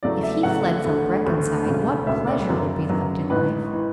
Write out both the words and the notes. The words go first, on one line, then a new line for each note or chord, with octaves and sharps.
If he fled from Brackenside, what pleasure would be left in life?
E2 C#3 F#3 A3 D5
E5
E2 C#3 F#3 A3 F#5
D2 D3 A3
D2 D3 A3
E1 D2 C#3
E1 D2 C#3 E5
D5
F#2 C#3 F#3 B3
F#2 C#3 F#3 B3
A1 G#2 E3 B4
E3